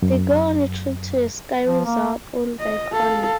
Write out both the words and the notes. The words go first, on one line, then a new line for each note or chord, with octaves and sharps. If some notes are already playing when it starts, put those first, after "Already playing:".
They go on a trip to a ski resort owned by Connor.
F#2
F3
A#3
D#5
A4 F5